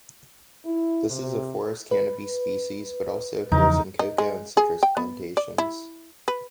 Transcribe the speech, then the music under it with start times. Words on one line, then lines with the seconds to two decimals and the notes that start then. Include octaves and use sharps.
This is a forest canopy species, but also occurs in cocoa and citrus plantations.
0.64 E4
1.08 C3
1.91 B4
3.52 E2 C#3 F3 D#4 A#4
3.99 D#4
4.18 G#3
4.57 G#4
4.83 G5
4.97 B3
5.37 D5
5.58 E4
6.28 B4